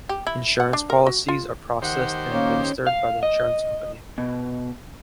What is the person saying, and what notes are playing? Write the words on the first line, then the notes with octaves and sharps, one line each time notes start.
Insurance policies are processed and administered by the insurance company.
G4
E4
F#5
D4
A#4
F#4
F4
D#3 G4 C5 F#5
A#3 C#4 C#5
F5
D#5
B2